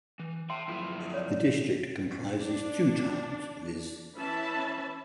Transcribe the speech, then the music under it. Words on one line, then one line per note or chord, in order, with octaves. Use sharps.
The district comprises two towns viz.
E3
E5 G5 C6
F#2 F3 E4
C#5 D5
D4
E3 C#4 E5 A5 B5